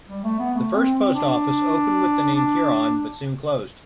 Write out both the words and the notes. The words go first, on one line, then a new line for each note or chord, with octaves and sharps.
The first post office opened with the name Huron, but soon closed.
G3
A3
B3
A3
C4
C4
D4
D4